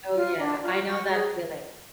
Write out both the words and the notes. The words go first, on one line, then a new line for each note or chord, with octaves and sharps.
Oh, yeah, I know that feeling,
F4
D4
F4
F#4
G#4